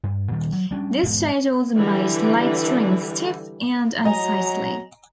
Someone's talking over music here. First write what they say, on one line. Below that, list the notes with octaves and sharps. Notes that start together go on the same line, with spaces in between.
This change also made light strings stiff and unsightly.
G2
A#2 D#3 G3
F#3
G3 C#4 D4
E1 G#2 B2
D3 E3 G3 B4
F#3 D#5 G#5 A#5